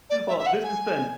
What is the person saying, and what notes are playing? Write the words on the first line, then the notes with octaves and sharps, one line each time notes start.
Well, this has been
D5
E5
E5
F#5
G#5